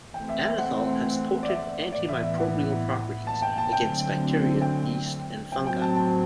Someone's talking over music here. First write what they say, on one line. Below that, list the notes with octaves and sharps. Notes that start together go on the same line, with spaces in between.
Anethole has potent antimicrobial properties, against bacteria, yeast, and fungi.
E3 A3 C4 G5
E5
E5
F#5
D5
E5
A2 E3 B3 D5
E5
E5
F#5
A5
G5
A5
D3 F#3 A3 C4 G5
G5
A2 F#3 C4 G5
G5
A5
A5